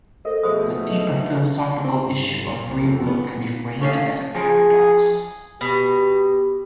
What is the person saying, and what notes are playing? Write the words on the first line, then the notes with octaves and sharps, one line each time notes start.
The deeper philosophical issue of free will can be framed as a paradox.
A4 A#4 C5 D#5
B2 F3 A3 G#4 C5 D#6
C4
G1
A#2
C2
F2
B3
A#2
A3 C#4 F5
F3 G#4
B2 G4